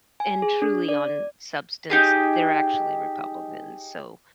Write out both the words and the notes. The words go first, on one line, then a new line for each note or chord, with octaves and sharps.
And truly on substance, they're actually Republicans. So
G#5
G#4
D4
D5
D#4 G4 G#4